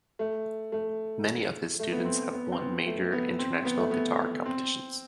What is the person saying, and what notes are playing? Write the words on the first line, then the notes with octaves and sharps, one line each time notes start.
Many of his students have won major international guitar competitions.
A3
A3
A3
B3
C4
B3
C4
B3
A3
B3
C4
B3
A3
B3
C4